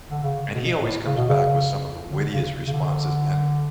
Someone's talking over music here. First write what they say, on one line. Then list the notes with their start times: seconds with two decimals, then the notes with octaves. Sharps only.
and he always comes back with some of the wittiest responses, and
0.11 D3
0.23 C#3
0.51 B2
0.78 A2
1.06 C#3
1.17 B2
1.28 C#3
2.10 D3
2.31 C#3
2.67 C#3
2.73 D3